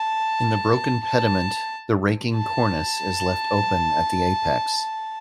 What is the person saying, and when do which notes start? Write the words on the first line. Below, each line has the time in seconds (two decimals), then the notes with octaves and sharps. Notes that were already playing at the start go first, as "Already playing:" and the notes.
In the broken pediment the raking cornice is left open at the apex.
Already playing: A5
1.05 A5
2.38 A5